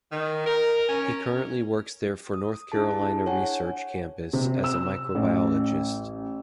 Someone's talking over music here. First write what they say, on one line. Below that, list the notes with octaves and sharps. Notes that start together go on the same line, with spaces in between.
He currently works there for North Carolina Research Campus as a microbiologist.
D#3
A#4
C#4
D#6
D4 E4 G#4 A5
C#5 F#5 G#5
C3
E6
A1